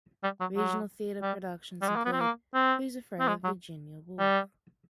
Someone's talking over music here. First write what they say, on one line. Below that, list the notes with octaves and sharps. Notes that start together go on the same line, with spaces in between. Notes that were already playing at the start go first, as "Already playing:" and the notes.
Regional theatre productions include: Who's Afraid of Virginia Woolf?
G3
F#3
F#3
G3
G3
G#3
A#3
B3
C4
A#3
C4
C4
G#3
F#3
G3